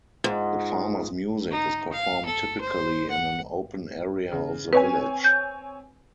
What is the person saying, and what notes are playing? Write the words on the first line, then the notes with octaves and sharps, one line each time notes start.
The farmers' music is performed typically in an open area of the village.
G#2 F4 D#5 F#5
D#4
F5
A4
C5
F#5
C#3
C4 B4 C#5 G#5
G6